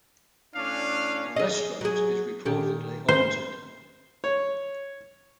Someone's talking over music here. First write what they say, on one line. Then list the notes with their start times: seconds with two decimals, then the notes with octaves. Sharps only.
The restaurant is reportedly haunted.
0.55 A2 C#4 D4 F5
1.36 G#4 D#5
1.81 F#3 G#4
2.45 A#2 D#3 G4
3.08 C5
4.24 C#5